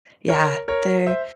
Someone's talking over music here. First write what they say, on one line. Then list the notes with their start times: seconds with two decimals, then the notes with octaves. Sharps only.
yeah, they're
0.29 A#4 C#5
0.68 A#4 C#5
1.07 C5 E5